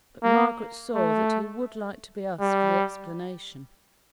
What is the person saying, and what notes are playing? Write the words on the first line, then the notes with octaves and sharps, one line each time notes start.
But Margaret saw that he would like to be asked for the explanation.
A#3
A3
G3